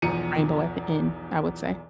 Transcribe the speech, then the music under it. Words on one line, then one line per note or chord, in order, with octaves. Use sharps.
there's a rainbow at the end, I would say.
B1 E2 F3 A#5 C#7 D#7